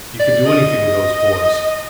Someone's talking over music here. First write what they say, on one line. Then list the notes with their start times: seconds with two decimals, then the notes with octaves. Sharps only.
'You could do anything with those boys.
0.20 D5
0.46 D#5